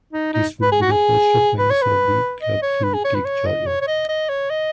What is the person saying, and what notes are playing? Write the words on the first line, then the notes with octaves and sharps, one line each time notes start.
This would the first of many Saudi clubs he would take charge of.
D#4
D#4
B4
G#4
F#4
G#4
B4
C#5
B4
D#5
C#5
B4
G#4
C#5
B4
C#5
D#5
C#5
C#5
D#5
D#5
C#5
D#5